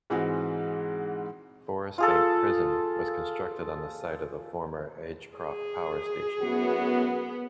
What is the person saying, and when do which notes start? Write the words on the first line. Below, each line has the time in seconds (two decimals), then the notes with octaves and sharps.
Forest Bank Prison was constructed on the site of the former Agecroft Power Station.
0.10 G#2 E3 G#3 C4 F#4
1.98 F4 G#4 A4
5.37 G#4
6.42 F#2 A2 B3 F#4